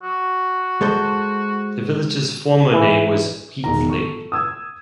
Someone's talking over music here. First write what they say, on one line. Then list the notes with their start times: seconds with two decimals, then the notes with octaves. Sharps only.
The village's former name was Wheatley.
0.03 F#4
0.81 G#3 A4 C5
2.73 E3
3.64 E1 D#3 A#5
3.89 A4 C#6
4.32 D#6 E6 G#6